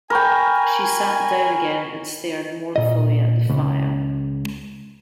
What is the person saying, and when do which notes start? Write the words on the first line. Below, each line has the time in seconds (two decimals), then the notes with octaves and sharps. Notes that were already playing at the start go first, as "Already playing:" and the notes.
She sat down again, and stared mournfully at the fire.
0.10 A#4 G5 G#5 A#5 B5 C#6
2.76 A#2 D#5
3.49 C#2